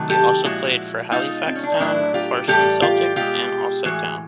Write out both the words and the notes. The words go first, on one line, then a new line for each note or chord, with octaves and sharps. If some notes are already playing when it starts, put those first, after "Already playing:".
He also played for Halifax Town, Farsley Celtic and Ossett Town.
Already playing: C3 D#3 F#3 A3
G4 A4
A#2 F3 G#3 E4 F#4
B2 G#3 D#4 F4
C4
C#4
D4
D#4
A2 F#3 A3 D4 E4
F4 G4
A2 E3 G3 G4 A4
F4 G4
B2 G#3 F4 G4
A2 E3 G#3 F#4 G#4